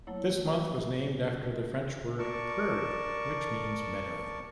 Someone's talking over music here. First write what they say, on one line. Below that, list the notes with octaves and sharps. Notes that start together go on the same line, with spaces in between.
This month was named after the French word "prairie", which means "meadow".
F#3 A3 A#3 E4 C#5
A#4 D5 A5 C#6